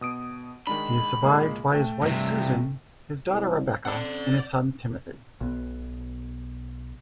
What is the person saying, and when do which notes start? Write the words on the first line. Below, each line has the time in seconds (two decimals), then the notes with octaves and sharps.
He is survived by his wife Susan, his daughter Rebecca, and his son Timothy.
0.01 B2 D#6 D7
0.67 D#3 G#3 D4 B5
1.22 A#2 G#3 A#3
1.72 A3 G5 A5
2.02 G2 C3
3.29 C2
3.85 C4 D5 F#5
5.41 B1 B2